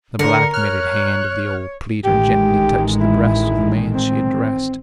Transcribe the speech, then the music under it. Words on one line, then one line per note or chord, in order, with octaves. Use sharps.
The black-mitted hand of the old pleader gently touched the breast of the man she addressed.
D3 A#4 C#7
C#5 F6 F#6
A1 D#3 G#3 G4
E4
C4